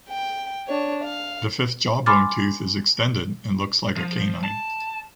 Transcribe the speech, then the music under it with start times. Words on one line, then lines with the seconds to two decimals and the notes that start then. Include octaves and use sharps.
The fifth jawbone tooth is extended and looks like a canine.
0.10 G5
0.68 D4 C#5
1.04 F5
2.06 G#5 B5 C6 D6 F6 A6
3.96 F3
4.43 A5